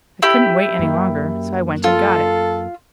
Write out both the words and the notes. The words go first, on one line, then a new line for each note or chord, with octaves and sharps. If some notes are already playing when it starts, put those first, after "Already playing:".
"I couldn't wait any longer, so I went and got it."
E4 G4
F#2 A#3
F4 A4